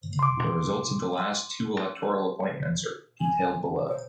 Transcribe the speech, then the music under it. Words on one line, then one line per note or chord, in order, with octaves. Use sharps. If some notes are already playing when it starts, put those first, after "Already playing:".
The results of the last two electoral appointments are detailed below.
C6 D6
G#5
C5